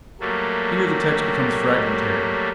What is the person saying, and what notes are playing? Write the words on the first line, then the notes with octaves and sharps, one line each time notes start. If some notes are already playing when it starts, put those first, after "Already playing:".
Here the text becomes fragmentary.
F#3 G3 A3 A#3